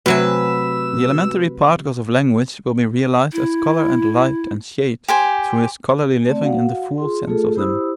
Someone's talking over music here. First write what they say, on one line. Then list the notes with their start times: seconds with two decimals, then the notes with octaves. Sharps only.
The elementary particles of language will be realised as colour and light and shade through his scholarly living in the full sense of them.
0.06 C3 F#3 A3 F#4 B4 G#5 E6
3.33 E4
5.08 G4 C5 G#5
6.27 A3 C4 D5
6.41 F#4 F5 F#5
6.98 F4 G#4 C6
7.27 A3 F4 G#4 A4
7.55 E4 G4 C5 B5 D#6 E6